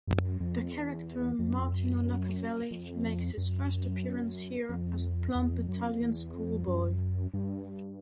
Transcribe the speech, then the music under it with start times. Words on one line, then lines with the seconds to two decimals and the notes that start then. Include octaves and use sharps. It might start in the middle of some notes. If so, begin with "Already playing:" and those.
The character Martino Knockavelli makes his first appearance here as a plump Italian schoolboy.
0.07 F#2
0.40 F2
0.73 E2
1.39 F2
1.50 F#2
1.60 F2
1.72 F#2
2.71 F2
3.38 F#2
4.69 F2
5.35 E2
5.52 F2
5.68 F#2
5.85 F2
6.01 E2
6.34 F2
6.67 F#2
7.34 G2